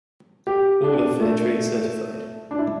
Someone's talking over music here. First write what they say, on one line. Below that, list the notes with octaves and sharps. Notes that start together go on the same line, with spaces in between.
All are Fairtrade Certified.
G4
D4
A3
D4
E4